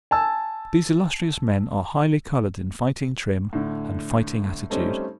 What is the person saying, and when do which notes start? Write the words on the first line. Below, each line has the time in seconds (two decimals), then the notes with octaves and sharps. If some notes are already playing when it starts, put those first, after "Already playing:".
These illustrious men are highly coloured in fighting trim, and fighting attitude.
0.11 G#5 A5 E6
3.53 A2 D3
4.70 G3 A3 C4 C#4 D#4 A4